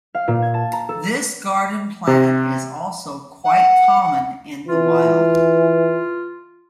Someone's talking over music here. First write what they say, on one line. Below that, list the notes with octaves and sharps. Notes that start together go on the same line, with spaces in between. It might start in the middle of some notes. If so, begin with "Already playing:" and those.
This garden plant is also quite common in the wild.
F5
A#2
G#6
A5
A#5
A4
C3
F#5
E3 F4